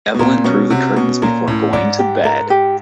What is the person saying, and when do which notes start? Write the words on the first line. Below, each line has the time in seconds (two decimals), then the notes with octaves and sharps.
Evelyn drew the curtains before going to bed.
0.14 B2
0.19 A#2 A#4
0.44 B2 C#4
0.70 C3 F#4
0.96 B2 C#4
1.22 A#2 A#4
1.47 A2 C#4
1.73 G#2 D5
1.99 G4
2.25 A#4
2.50 G4